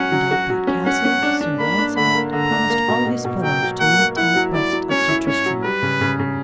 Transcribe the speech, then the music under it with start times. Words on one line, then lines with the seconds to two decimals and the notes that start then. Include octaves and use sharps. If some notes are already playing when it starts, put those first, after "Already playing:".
And at that castle Sir Launcelot promised all his fellows to meet in the quest of Sir Tristram.
Already playing: F#3 C#4 F#5
0.12 F#3
0.31 F#4
0.50 F#3
0.67 C#4
0.86 C#4 F#5
1.04 C#4
1.22 D4
1.41 D4
1.59 A#3 B5
1.78 D4
1.97 D3 B5
2.15 A#3
2.33 D3 A#5
2.52 D4
2.70 A#3
2.88 B2
3.07 B2
3.25 B2
3.43 F#3 G5
3.62 F#3
3.80 A#3 F#5
3.98 A#3
4.16 E4 F#5
4.36 F#3
4.53 E4 D5
4.72 F#3
4.91 C#4 C#5
5.08 E4
5.27 C#4 C#5
5.46 F#3
5.64 G3 B4
5.82 C#3
6.01 C#3
6.19 C#3